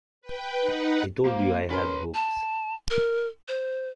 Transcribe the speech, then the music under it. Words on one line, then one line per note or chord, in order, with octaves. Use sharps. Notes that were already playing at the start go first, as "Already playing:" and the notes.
I told you I had hopes.
B4 G5
D#4 B4 F#5
A#3 C5
C#4 A#4 B4 C6
A5
A#4
C5